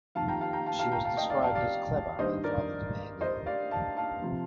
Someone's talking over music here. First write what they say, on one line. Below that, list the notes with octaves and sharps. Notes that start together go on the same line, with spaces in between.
She was described as clever and rather demanding.
F2 D#3 F5 A5
G5 A#5
F5 A5
G5 A#5
F5 A5
F5 A5
G5 A#5
F5 A5
D#5 G5
D5 F5
F5 A5
D5 F5
G2 D#3 C5 D#5
A#4 D5
C5 D#5
D5 F5
F5 A5
F5 A5
C3 F3